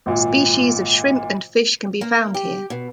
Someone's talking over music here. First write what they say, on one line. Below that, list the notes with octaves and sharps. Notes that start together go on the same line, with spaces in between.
Species of shrimp and fish can be found here.
G#1 A#2
A#3
G4
B2